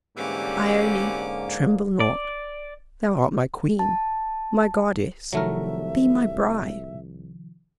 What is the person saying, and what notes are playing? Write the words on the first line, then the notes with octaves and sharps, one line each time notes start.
Ione, tremble not, thou art my queen--my goddess--be my bride!
G#2 D3 E3 G3 A#3 C#4 D6
D5
A5
C2 C3 D#3 F3 F#3 A3 A#4 E5